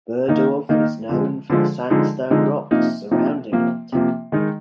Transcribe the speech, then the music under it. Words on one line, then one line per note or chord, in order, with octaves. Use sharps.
Berdorf is known for the sandstone rocks surrounding it.
D#3 A#3 D#4
D#3 A#3 D#4
D3 F3 G#3
D3 F3 G#3
D3 F3 G#3 D#4
D3 F3 G#3 D#4
C3 F3 A#3 D#4
C3 F3 A#3 D#4
C3 F3 A#3
C3 F3 A#3
D#3 G#3 D#4